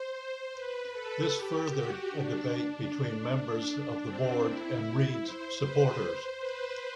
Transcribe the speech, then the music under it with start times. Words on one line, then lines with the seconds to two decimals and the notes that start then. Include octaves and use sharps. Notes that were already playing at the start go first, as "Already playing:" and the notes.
This furthered a debate between members of the board and Reed's supporters.
Already playing: C5
0.54 B4
0.92 A4
1.31 G4
1.70 F#4
2.10 D4
2.49 D4
2.87 D4
3.27 D4
4.05 C4
4.44 E4
5.22 C5
5.61 B4
6.00 C5
6.39 B4